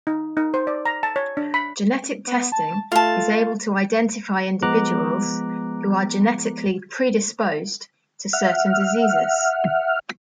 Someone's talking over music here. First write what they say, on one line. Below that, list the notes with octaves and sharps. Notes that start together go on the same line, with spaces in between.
Genetic testing is able to identify individuals who are genetically predisposed to certain diseases.
D#4
D#4
C5
D5
A#5
A5
C#5
D4
B5
B3
A5
A3 F4 A5
F3 G#3 B3 A#5 D6 F#6
E5 F#5 F6